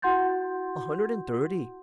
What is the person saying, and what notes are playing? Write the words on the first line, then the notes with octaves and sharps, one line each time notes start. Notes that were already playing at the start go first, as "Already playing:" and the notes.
"A hundred and thirty."
E4 F#4 F#5 C6 G6 A6